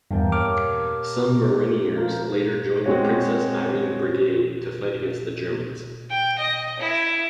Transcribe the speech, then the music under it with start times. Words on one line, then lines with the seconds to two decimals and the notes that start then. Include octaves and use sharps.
Some Mariniers later joined the Princess Irene Brigade to fight against the Germans.
0.11 E2 G2 A#3 G4 A5
0.32 C#5 D#5 D6 F6
1.95 F3 A#4 C5
2.86 G#3 C4 F#4 C#5
6.10 G5
6.38 D#5
6.79 E4